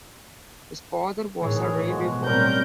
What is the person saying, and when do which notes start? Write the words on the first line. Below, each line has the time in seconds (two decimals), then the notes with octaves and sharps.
His father was a railway porter.
1.42 A2 D#3 E3 G#4 C#5
1.88 B2 F3 G#3 F#4
2.25 A2 F#3 G3 C4 C#4 A#4 G6